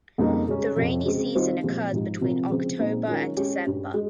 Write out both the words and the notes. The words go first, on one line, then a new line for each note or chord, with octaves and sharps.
The rainy season occurs between October and December.
F2 C#3 G3 A#3 D#4
C#3 G#3 C#4
F2 C3 F3
C#3 G#3 C4
D#3 G3 C4 F4 C5
A#2 F3 G#3 C4 G4
G#2 F3 G#3 D#4 G4
C3 F3 C4 F4 A#4
C#3 F3 G#3 C4
A#2 G#3 C4 D#4
D#3 G#3 C#4 F4 A#4
G#3 C#4 G4
G2 G3 C#4
G#3